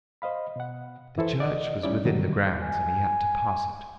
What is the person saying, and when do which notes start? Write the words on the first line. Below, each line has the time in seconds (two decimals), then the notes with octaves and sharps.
The church was within the grounds, and he had to pass it.
0.22 C5 D#5 F5 B5
0.56 B2 F#5
1.18 E3 E4 A4 C5
1.40 D5 D#5 F#5
1.83 G3 C#4 D#4 E4 D5
2.05 G2 B2 D3 D#3 F#3 G3
2.62 G#5